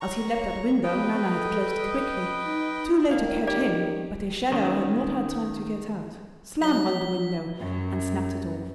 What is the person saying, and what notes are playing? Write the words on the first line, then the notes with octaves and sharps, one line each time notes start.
As he leapt at the window Nana had closed it quickly, too late to catch him, but his shadow had not had time to get out; slam went the window and snapped it off.
C#5 A#5 C#6
B3 B4 D#5 G5
A4
D#4
D#3 D5 F5
G4 D5
D#3 C#4
F#3 B6 G7
F#2